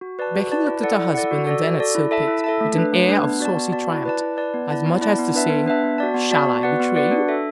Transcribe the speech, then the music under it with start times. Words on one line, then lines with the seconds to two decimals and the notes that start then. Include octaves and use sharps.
Becky looked at her husband, and then at Sir Pitt, with an air of saucy triumph--as much as to say, "Shall I betray you?"
0.01 F#4
0.19 B4 D5 A5
0.35 F#4
0.50 B4 D5 A5
0.67 E4
0.83 A4 D5 F#5
0.99 E4
1.15 A4 D5 F#5
1.31 F#4
1.47 A4 D5
1.64 F#4
1.80 A4 D5
1.95 E4
2.11 A4 E5 A5
2.27 E4
2.44 A4 E5 A5
2.61 A3
2.76 D4 B4
2.93 A3
3.08 D4 B4
3.24 B3
3.40 F#4 D5 A5
3.57 B3
3.72 F#4 D5 A5
3.89 E4
4.05 B4 D5 A5
4.21 E4
4.37 B4 D5 A5
4.54 B3
4.70 E4 D5 A5
4.86 B3
5.01 E4 D5 A5
5.19 B3
5.34 D4 B4 E5 A5
5.50 B3
5.66 D4 B4 E5 A5
5.83 B3
5.98 F#4 D5 A5
6.14 B3
6.31 F#4 D5 A5
6.47 B3
6.63 F#4 B4 D5 F#5
6.80 B3
6.96 F#4 B4 D5 F#5
7.12 D4
7.28 A4 E5